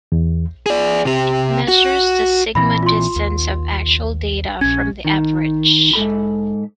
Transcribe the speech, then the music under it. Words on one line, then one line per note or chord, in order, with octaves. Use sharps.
It measures the sigma distance of actual data from the average.
E2
G#4 D5
C3 G4
F#4
A#2 E3 C4 B5 A#6
F4 C6
D#2
A#1 C#4 G#6
D#3
G#2 A4 B5